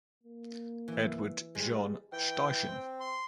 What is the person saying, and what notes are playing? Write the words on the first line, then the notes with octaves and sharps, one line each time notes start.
Edward Jean Steichen.
A#3
E3
G3 G#3
E3 G5
C4
C6